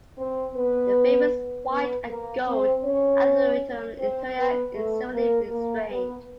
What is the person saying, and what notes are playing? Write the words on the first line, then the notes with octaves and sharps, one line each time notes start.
The famous white and gold auditorium interior is similarly restrained.
C4 C5
B3 B4
B3 B4
A#3 A#4
C4 C5
C#4 C#5
C4 C5
B3 B4
A3 A4
A#3 A#4
A#3 A#4
B3 B4